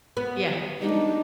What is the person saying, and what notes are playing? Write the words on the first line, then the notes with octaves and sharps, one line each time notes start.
Yeah, and
B3
D4 D#4